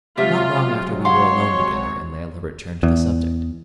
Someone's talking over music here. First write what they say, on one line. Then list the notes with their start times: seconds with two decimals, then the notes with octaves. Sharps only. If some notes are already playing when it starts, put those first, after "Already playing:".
Not long after we were alone together, and Layelah returned to the subject.
0.17 C3 F#3 G#3 F4 G4 E5
1.05 C#5 F5 F#5 C6
2.83 E2